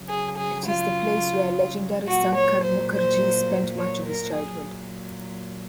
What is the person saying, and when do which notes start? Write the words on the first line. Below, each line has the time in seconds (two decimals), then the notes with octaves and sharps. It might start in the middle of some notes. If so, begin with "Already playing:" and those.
It is the place where legendary Sankar Mukherjee spent much of his childhood.
Already playing: C#3 F#3
0.08 G#4
0.37 G#4
0.65 F4
2.07 A#2 F#3 F#4
2.35 C#5
2.63 C5
2.92 C5
3.77 C#5
4.05 A#4
4.33 A#2 F#3 G#4